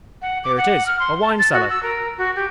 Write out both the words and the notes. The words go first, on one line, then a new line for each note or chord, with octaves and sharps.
Here it is--a wine-cellar.
F#5
D6
F#5
F6
C6
A5
A6
F#4
E6
A#4
F#4
G4